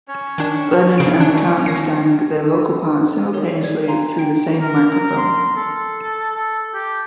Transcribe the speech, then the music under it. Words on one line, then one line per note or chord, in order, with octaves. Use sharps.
Lennon and McCartney sang their vocal parts simultaneously through the same microphone.
C#4 C#5
D#3 D4
C#3 D7
D4
A#6 C7
A4
G4 A4 A#4 C#5
D5 G#6
F5 G#5 A#5 C6
G5 D7
A#4
C6
A4
A4
G4